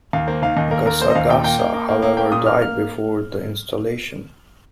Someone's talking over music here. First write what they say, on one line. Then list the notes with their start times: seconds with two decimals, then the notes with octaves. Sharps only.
Gasagasa, however, died before the installation.
0.13 D#2 F5
0.27 A#3 C5
0.42 D#3 F5
0.57 D#2 D#5
0.71 A#3 A#4
0.86 D#2 A#4
1.00 A#3 C5
1.10 D#5
1.15 D#2 F5
1.30 A#2 G5
1.44 A#3 G5
1.59 A#3
1.73 A#3
1.89 A#3
2.02 A#3
2.17 A#3 G5
2.32 A#2 D#6
2.46 A#3 F6
2.61 A#3 F6